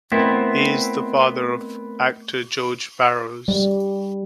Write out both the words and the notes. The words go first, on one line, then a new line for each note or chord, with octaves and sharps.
He is the father of actor George Barrows.
A3 B3 C4 E4 A#4
G3